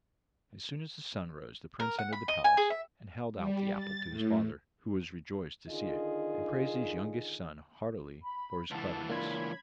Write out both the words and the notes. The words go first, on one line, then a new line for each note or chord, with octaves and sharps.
As soon as the sun rose the prince entered the palace, and held out the apple to his father, who was rejoiced to see it, and praised his youngest son heartily for his cleverness.
A#4
F#5
B5
D#5
G#5
G#4
E5
G3
A6
A2
D3 D#3 D#4 F4 G#4 D#5
B5
C#2 E3 F#5 A5
A#3 D4 F4 C#5 B5 G#6